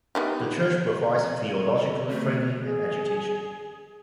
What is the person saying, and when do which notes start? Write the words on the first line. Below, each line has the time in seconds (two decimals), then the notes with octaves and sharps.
The church provides theological training and education.
0.15 B3 D#4 G4
1.77 A4
2.09 A3
2.62 G#4